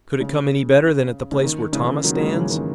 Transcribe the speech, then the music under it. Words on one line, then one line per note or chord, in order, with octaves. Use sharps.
"Could it come any better than at the place where Thomas stands?"
C#3
C#3
D#3
C#3 E3
D#3 F#3
F#3
E3 G#3
C#3 E3
D#3